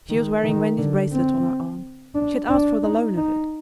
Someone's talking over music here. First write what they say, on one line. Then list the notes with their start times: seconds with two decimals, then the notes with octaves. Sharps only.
She was wearing Wendy's bracelet on her arm; she had asked for the loan of it.
0.10 D#3
0.44 D#3
0.78 D3
1.12 C4
2.15 D4
2.49 D4
2.83 D#4
3.17 D#4